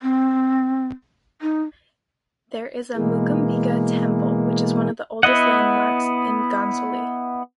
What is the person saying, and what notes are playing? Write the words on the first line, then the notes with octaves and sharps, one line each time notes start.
There is a Mookambika temple which is one of the oldest landmarks in Ghansoli.
C4
D#4
B2 E3 G#3 A#3
B3 E4 D#5 F#5